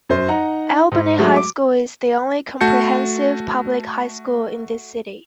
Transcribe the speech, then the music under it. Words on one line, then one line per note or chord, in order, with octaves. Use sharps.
Albany High School is the only comprehensive public high school in the city.
F#2 C5
D#4 F#5 A#5
G#2
F#3 G#3 A3 F#4
D6
A3 F#4 A5 G6 C#7